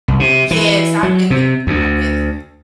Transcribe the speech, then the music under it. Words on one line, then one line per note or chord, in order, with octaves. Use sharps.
Yes, I've been there. I've been there.
C2
C3
E3
F#3
C3
D2